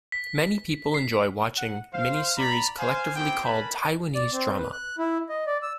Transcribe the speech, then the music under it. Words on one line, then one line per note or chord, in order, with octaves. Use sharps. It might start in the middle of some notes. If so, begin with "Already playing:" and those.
Many people enjoy watching miniseries collectively called Taiwanese drama.
B6
C7
F#5
C5 F5
D5 A#5 B5
C5 F5 G#5
B3 C4 E4 G4 C5 G5
A#4 B4 G#5 A5 B5
D5
C4
B4
F#6
E4
D#5
D5
E6